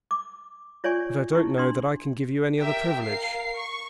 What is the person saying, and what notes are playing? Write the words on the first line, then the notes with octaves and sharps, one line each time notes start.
"But I don't know that I can give you any other privilege."
D6
F4 C#5 D5 G#5 C#6
D#4 E4 C#6
D4 C6
G4 A#4 E5 G5
A#4 F5 C7
C#6